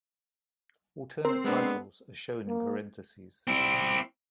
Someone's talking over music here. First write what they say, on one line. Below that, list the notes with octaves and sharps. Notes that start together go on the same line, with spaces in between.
Alternate titles are shown in parentheses.
C4 A#4 C6
G#3 A#3 B3 D4
A#3
C4 E4